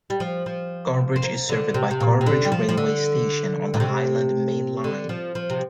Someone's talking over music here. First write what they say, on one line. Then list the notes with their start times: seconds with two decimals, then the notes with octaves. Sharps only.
Carrbridge is served by Carrbridge railway station on the Highland Main Line.
0.10 G3
0.20 F3
0.46 F3
1.16 C4
1.23 A#3
1.49 D3
1.74 C3
1.91 C3
2.00 A#2
2.21 C3
2.26 D3
2.45 G3
2.52 F3
2.69 F3
2.77 D3
3.74 A#2
3.80 C3
4.84 D3
5.09 F3
5.35 F3
5.50 C3